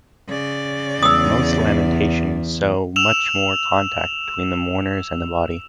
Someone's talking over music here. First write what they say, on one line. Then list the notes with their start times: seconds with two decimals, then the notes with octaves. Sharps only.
Most "Lamentations" show much more contact between the mourners and the body.
0.28 C#3 D5
1.03 E2 D#6 E6
2.96 E6 E7 F7